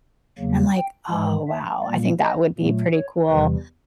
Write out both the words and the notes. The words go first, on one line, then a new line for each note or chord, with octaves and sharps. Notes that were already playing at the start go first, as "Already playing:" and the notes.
And I'm like, "Oh wow, I think that would be pretty cool,"
E2 C#3 F#3 A#3
G5
G#2 E3 G#3
E5
A#2 G3 A#3 D5
D#5
A#2 F#3 A3
C#5
E2 C3 E3 G3 B4